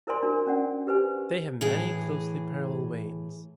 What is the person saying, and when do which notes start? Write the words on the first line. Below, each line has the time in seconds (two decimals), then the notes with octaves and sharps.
They have many closely parallel veins.
0.07 E4 A#4 C5 D5 G#5 C6
0.23 D4 F#4 A#4 G#5
0.47 C#4 D4 D5 F#5
0.87 G4 B4 C5 G#5
1.61 A2 E3 G#4